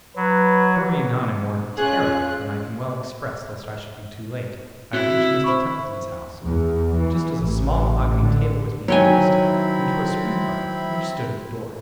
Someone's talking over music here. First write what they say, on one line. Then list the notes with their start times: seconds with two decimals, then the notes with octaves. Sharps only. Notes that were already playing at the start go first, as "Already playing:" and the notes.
Hurrying on in more terror than I can well express lest I should be too late, I reached Mr Templeton's house just as a small mahogany table was being hoisted into a spring-cart which stood at the door.
0.16 F#3 B4
1.78 C#4 F4 G#4 F#6
4.93 C4 E4 F#4 F#6 C#7
5.44 C5 B5 C#6
6.43 E2
6.96 E3
7.42 A1
8.23 D3
8.88 D#3 F#3 C4 E4 C#5 G5 G#5 B5